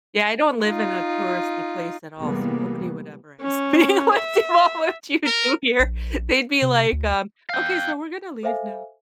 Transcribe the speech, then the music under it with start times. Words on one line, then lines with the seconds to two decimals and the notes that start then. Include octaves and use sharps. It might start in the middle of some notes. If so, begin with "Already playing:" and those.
Yeah, I don't live in a touristy place at all, so nobody would ever ask me, "What do all what you do here?" they'd be like, um, "Okay, so we're gonna leave now."
0.64 D#4 F4
2.19 C3 E3 G3 G#3 A#3 B3
3.41 C#4
4.13 E5
5.26 A#4
5.79 A#1
6.62 C3
6.92 D2
7.50 F5 G5
8.43 A4 C5 E5 F5 G#5